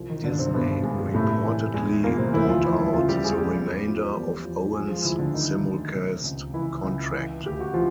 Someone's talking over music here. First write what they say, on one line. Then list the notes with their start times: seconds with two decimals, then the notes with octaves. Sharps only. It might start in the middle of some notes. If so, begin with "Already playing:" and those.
Disney reportedly bought out the remainder of Owens' simulcast contract.
Already playing: C2 F3
0.09 D#3 D#4
0.23 G2 D3 D4
0.39 C3 C4
0.53 G2 B2 B3
0.83 G2 G#3
0.98 G3
1.14 A2 C3 A3
1.43 E3
1.74 E2 G#3
2.03 E2 A#2 A#3
2.19 C3 C4
2.33 D2 E3 E4
2.48 F3 F4
2.63 E3 F3 E4
2.78 E3 E4
2.93 C#3 F3 F4
3.09 G3 G4
3.24 F3 G#3 G#4
3.38 G3 G4
3.53 E2
3.84 F3
4.14 E2
4.44 F3
4.73 F3 G#3 G#4
4.88 F3 F4
5.04 D2 E3 E4
5.19 D3 D4
5.33 D#3 F3 D#4
5.63 D2
5.93 C3
6.24 C#2
6.53 C#2 E3 E4
6.83 C#2
7.14 E3
7.43 D2 G4
7.60 F#4
7.73 E3 F3 F4